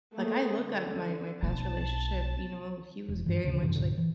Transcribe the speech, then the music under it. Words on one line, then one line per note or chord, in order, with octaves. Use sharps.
like, I look at my, my past relationship, you know, he was very much like
A3 A#3 G#4
D3
B1 B3 A5
E1
G2 E3
D2 C#3
F#2 C3 E3
C2 G2 A#2 D3
E3